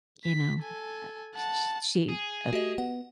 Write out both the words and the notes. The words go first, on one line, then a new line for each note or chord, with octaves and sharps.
you know, uh, sh sh she a
B6
A4 G#5
F#5 A5
G#4
A3 F#4 G4 D#5
B3 F#5